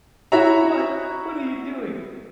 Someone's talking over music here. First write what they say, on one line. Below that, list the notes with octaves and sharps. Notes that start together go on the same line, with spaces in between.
What what are you doing?
E4 F#4 C#5 E5 A#5